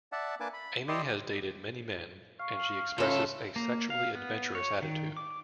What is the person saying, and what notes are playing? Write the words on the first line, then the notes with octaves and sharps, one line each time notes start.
Amy has dated many men, and she expresses a sexually adventurous attitude.
D5 E5 F#5 A5
A#3 D4 B4 G#5 A5 D6
B5
E4 G4 D5 D#5 C6
F5 C#6
C#2 C#4 F4 A4 C#5 E5 B5
A#3
F5
B3
C#5
D#3
D6